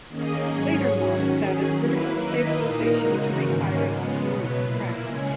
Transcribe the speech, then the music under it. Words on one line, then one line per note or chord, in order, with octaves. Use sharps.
Later models added vertical stabilization to make firing on the move practical.
D#3 A#3 C#4 G#4 D#5
G#2 F#3 C#4 G#4 C#5
D#3 F#3 C#4 F#4
D#3 F#3 C#4 G#4
F#3 A#3 E4 B4
D#3 A#3 E4 B4 D#5
A#2 A#3 D#4 A#4
C#3 E3 G#3 D#4 F#4
G#2 D#3 A#3 C#4
C#3 G#3 B3
B2 F#3 B3
A#2 A#3 E4
C#3 G#3 C#4 G#4